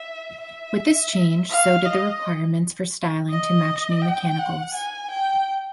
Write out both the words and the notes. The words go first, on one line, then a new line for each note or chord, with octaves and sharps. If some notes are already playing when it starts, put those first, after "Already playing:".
With this change so did the requirements for styling to match new mechanicals.
Already playing: E5
E5
F5
D#5
D#5
G5
F#5
G#5
G5